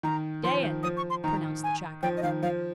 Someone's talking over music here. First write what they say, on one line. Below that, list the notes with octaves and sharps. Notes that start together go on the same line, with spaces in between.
"Dead!" pronounced the tracker.
D#3 A#5
F3 C6
D#3
F3 D#6
C#6
C6
D#3 A#5
G#5
F3 G5
D#5
D#3 F5
F3 F5